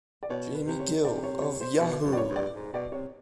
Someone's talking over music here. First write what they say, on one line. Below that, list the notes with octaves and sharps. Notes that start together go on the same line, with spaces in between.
Jaime Gill of Yahoo!
D5
B2 C#5
B4
C3
C#5
C3 D5
C#5
C#5
C5
B2 B4
F#2
D5
C#5
G2
D5
G#2
B2 D5
C3 C#5